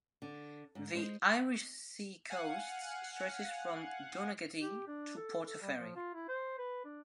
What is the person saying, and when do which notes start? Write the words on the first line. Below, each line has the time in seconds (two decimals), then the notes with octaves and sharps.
The Irish Sea coast stretches from Donaghadee to Portaferry.
0.22 D3
0.75 G#2
0.93 G#3 B4 C5
2.30 F5 F#5 G#5
4.61 G4
4.87 D4
5.17 A4
5.47 A4
5.62 G3
5.78 F3
5.96 F4
6.14 E4
6.28 C5
6.58 B4
6.85 D4